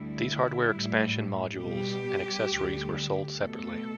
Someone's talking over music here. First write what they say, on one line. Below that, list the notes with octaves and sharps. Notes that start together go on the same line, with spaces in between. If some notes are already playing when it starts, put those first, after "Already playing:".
These hardware expansion modules and accessories were sold separately.
Already playing: D2 D3 G3 E4
A2 G3
B2 G3 G4
D2 D3 G3
B2 A3 A4